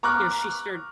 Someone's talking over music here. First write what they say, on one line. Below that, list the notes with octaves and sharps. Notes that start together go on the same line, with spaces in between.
you know, she started
A#5 C#6 D6 F6 F#6